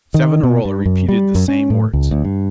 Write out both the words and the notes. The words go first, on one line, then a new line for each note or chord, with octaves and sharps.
Savonarola repeated the same words.
D#3
B2
G2
F#2
G3
F#2
C#4
A2
C#2
D2
G2